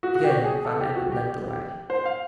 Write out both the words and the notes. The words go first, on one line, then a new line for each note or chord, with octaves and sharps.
Again Van Emmon led the way.
F#4
F#4
G4
G#4
A4
G4
F#4
G4
G4
G4
C5
F5